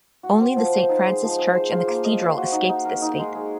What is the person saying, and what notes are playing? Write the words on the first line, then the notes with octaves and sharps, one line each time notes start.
Only the Saint Francis Church and the Cathedral escaped this fate.
F#4
C4
F3
C5
D#4
G#3
F3
G#4
C5
F4
A#3
D#5
C5
F#4
D#4
D#4
A#4
D#4
G#3
G#3